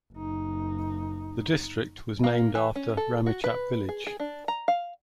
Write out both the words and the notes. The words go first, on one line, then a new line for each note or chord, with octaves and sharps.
The district was named after Ramechhap village.
F#1 D#4
A#3
E3
C#4
A4
F#4
B4
G#4
G#4
D4
A#5
F5